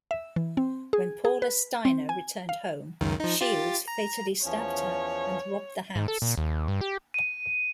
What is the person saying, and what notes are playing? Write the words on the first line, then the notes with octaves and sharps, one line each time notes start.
When Paula Steiner returned home, Shields fatally stabbed her and robbed the house.
E5
E3
C4
G#4
G#4
B4
C4
G#5
F5
C#2 F#2 D#3
F3 D#4
F4 G4 A6
A#5
E2 F3 C#4 C#5
G#2
A4
A#2
D#2
G2
G4
D#7